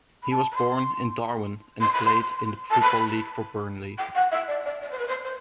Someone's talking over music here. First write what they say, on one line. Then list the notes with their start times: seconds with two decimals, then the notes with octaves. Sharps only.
He was born in Darwen and played in the Football League for Burnley.
0.22 B5
0.31 A5
0.51 B5
0.55 C6
1.81 C6
1.93 B5
2.05 C6
2.70 A5
2.81 B5
3.98 G5
4.15 F#5
4.31 E5
4.48 D5
4.65 D5
4.81 D5
4.91 C5
4.98 B4
5.07 C5
5.23 C5